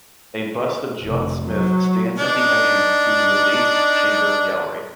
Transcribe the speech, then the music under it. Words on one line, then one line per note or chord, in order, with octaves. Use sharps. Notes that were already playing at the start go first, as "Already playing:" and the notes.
A bust of John Smith stands at the entrance to the Debates Chamber gallery.
F1
F#3
D4 D#4